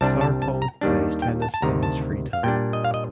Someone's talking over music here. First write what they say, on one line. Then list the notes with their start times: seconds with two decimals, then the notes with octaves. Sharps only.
Sarpong plays tennis in his free time.
0.01 C2 C3 G3 D4 A5
0.21 A5
0.42 A5
0.62 A#5
0.81 D#2 D#3 G3 D4
1.22 G5
1.42 A5
1.54 A5
1.62 D2 C3 D#3 A#5
1.83 A5
2.33 F5
2.43 A#2 G3 D4 G5
2.73 D#5
2.84 F5
2.94 D#5